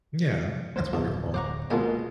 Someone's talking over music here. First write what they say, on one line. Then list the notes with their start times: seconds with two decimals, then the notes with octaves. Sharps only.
Yeah. That's wonderful.
0.76 D#2 F3 A#3 C5
0.93 D1 E2
1.34 C5 F#5 A#5 C#6 D6
1.70 B2 F3 G#3 A#3 G#5